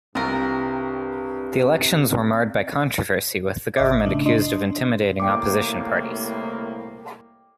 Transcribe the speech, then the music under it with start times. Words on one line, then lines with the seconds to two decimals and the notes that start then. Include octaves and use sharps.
The elections were marred by controversy, with the government accused of intimidating opposition parties.
0.15 C2 G2 C4 F4 A#4
3.77 G#1 D#5 E5 D6
4.06 A2 C#3 D4
4.26 D4 D#5 C6
5.20 C2 A2 A#3 G5 D6